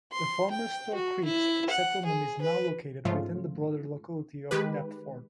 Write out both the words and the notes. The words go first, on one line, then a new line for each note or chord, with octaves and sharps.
The former Store Creek settlement is now located within the broader locality of Deptford.
C6
G5
F#4
E4
F#5
G#4
B4
G#2 C#3 F3 A3 F4
D#3 G#3 G4 B4